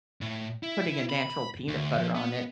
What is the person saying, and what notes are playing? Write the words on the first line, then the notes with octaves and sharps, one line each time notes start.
putting a natural peanut butter on it,
A2
E4
B5
D2
F3
B3